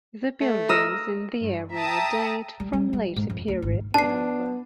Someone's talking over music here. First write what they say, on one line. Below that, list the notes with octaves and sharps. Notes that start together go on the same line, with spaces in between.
The buildings in the area date from later periods, however.
A3
A#4 D#5 E6
G2
E5 G5 A5 A#5 D#6 E6
G3
G3
G3
G#2
F2
D2
G#1
B3 D4 A5 C7